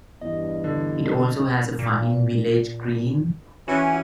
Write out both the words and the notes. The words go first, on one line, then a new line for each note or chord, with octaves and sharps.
It also has a fine village green.
E2 G2 D#5
D3
A#2
E3 C#4 F#4